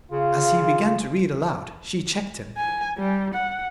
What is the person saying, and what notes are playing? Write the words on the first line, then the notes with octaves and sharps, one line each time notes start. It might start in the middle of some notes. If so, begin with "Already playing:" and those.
As he began to read aloud she checked him.
C#3 F4
G#5
G3
F#5